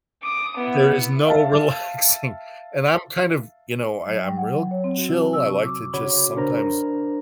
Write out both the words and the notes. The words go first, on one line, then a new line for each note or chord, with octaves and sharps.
There is no relaxing, and I'm kind of ,you know, I I'm real chill, I like to just sometimes
D6 D#6
B3 E4
E5 F5 A5
F#3
G5
F#5
F#3
C#5
C4
F#4
C3
A5
E6
C#6
D6
C#3 F#4 C#5 B5 D6
D4 A#4 C5 A#5